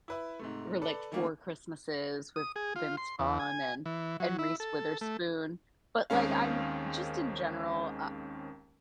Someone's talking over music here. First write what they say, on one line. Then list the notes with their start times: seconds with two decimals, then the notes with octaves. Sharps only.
or, like, Four Christmases with Vince Vaughn and and Reese Witherspoon. But, like, I'm just in general a
0.08 E4 B4 E5
0.39 G#2 C3 A3
0.82 A4 B4 D5
1.12 D#3 E3 A3 A#3 C#4
2.36 D#6
2.56 G#4
2.76 F4
2.97 C6
3.19 E2
3.39 G#5
3.86 E3
4.20 F#3
4.39 E4
4.60 A4
5.01 A3
6.10 D#2 D#3 G#3 C4 C#4 F5